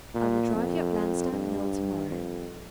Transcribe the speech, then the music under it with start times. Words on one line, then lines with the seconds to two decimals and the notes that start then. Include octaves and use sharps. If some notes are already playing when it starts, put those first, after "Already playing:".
"I will drive you up Lansdown Hill tomorrow."
0.15 A#2
0.54 F2
1.32 G2
2.11 F2